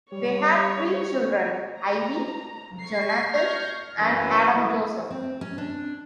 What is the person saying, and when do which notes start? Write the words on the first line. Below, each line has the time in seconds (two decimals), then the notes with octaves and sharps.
They had three children: Ivy, Jonathan and Adam Joseph.
0.12 G3 C#5
1.78 A#5
2.80 C#6 C7
3.31 C#6 F6 G6 G#6 A#6 C7
3.98 F#2 E3
4.55 A3 E4 B4 D#5
5.11 C4
5.41 C#4
5.58 D4